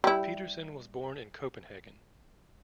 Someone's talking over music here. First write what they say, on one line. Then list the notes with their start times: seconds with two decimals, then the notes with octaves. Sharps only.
Petersen was born in Copenhagen.
0.04 G3 E4